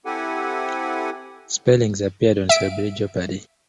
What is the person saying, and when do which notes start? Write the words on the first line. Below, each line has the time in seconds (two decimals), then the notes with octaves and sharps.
Spellings appeared on Celebrity Jeopardy!
0.06 C4 E4 G4 A4 F#5 G#5
2.49 E5 D7